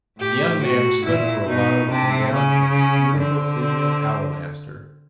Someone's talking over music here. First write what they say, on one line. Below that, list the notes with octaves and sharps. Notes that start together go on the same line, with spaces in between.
The young man stood for a while looking down at the beautiful figure of alabaster.
A2 G4
F#4
A#2 E4
B2 D#4
C3 D4
C#3 C#4
C#4
D3 C4
C4